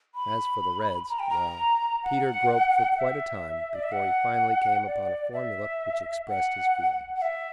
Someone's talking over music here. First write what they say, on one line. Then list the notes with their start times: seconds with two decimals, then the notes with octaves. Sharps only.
As for the Reds--well, Peter groped for quite a time before he finally came upon a formula which expressed his feelings.
0.15 B5
1.09 A#5
1.19 G5
1.29 A#5
2.04 F#5
2.98 E5
3.74 D5
3.83 E5
3.92 F#5
4.87 D5
5.33 E5
6.28 F#5
7.16 F#5
7.22 E5